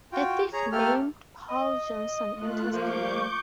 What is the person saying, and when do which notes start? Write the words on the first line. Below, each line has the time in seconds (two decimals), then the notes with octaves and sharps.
A thief named Paul Johnson enters the lab.
0.12 F4 F#4 G5
0.53 G#4 C#5 A#5
0.72 A3 A#3 G4 A4 F6
1.49 D#5
2.31 A3 F4 F#6
2.72 F3 A#3 C#6 D6 G6